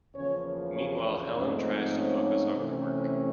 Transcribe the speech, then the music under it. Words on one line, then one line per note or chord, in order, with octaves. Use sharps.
Meanwhile, Helen tries to focus on her work.
E2 C#3 F3 A#3 C#4 C#5
C#4 C#5
D4 D5
G#2 F3 A3 C4 C#4 D#4 C#5
C#4 C#5
C3 E3 A3 C#4